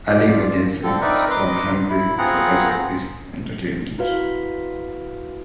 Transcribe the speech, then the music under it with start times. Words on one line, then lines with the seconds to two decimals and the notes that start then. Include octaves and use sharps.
Early audiences were hungry for escapist entertainment.
0.08 F4 D5
0.83 D3 F3 C4 A4
1.01 C4 D#4 A#4 B4 D5 E5
1.31 B4 D#5 A#5 C6 D6
1.90 E4
2.18 B3 C4 F4 G#4 F#5 A#5
3.98 E4 F#4 B4 F5